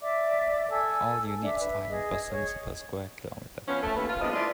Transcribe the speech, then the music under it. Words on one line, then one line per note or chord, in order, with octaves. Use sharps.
All units are in persons per square kilometer.
D5 E5 D6
A4 G#5 E6
D4 E5 D6
B4 E5
G#4 D#5
G#4 C#5
F3 B3 C#4
A3
D#2 B4
F4
E2 G2 C3 B3 D#5
E3 A3 F4 D5